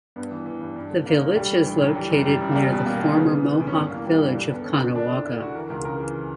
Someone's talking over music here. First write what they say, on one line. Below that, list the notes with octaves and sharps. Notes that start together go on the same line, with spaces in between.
The village is located near the former Mohawk village of Caughnawaga.
G2 B3
E3
E3
G2
G2
D3
G2 A#3
D3
D2 G3
E3
D2
D2 F#3
E3 G3
F#2
F#2 G3
F#2
A#3
E2 G3
B2
B2 A#3
E2 A#3
C#3 B3
E3
E3
D2
C#4
G2 B3
E3 A#3
E3 G3
G2
D2 G3
D3 B3
D3 C#4
D3
D3 D4
D2
D3 E4
D2 F#4
E3 A#4
C#2 A#4
C#3 A#4
E3